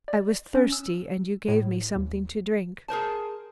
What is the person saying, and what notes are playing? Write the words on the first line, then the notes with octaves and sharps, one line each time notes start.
I was thirsty, and you gave me something to drink.
D5
C#4
E6
A2
D#2
G#4 A#4 C5 A5